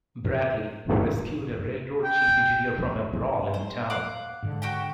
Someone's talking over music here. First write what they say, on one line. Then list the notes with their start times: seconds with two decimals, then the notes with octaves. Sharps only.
Bradley, who rescued a railroad chief engineer from a brawl in the town.
2.05 G5
3.54 C5
3.90 F5 F#5 D6
4.43 G#2 D3
4.62 F#4 G4 G5